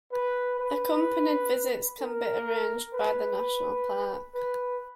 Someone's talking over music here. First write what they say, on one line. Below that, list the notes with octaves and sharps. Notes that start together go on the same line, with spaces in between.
Accompanied visits can be arranged by the national Park.
B4
B4
A#4
B4
B4